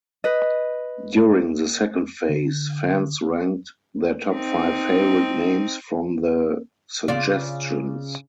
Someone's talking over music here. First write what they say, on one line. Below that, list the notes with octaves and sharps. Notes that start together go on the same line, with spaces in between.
During the second phase, fans ranked their top five favorite names from the suggestions.
B4 D#5
D3
C4 D#4
C#3 F4 D5